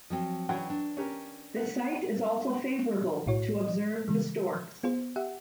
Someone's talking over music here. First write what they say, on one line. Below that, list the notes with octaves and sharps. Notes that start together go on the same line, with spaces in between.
The site is also favorable to observe the storks.
F3 F#3 C4
E3 F#3 C#4 D4 G5
D4
C#4 G4 A#4
B3
B1 A2 E4 F#4 C#5
C#3 E3 G#3
B3 F4 G#4 C5
G4 E5 F#5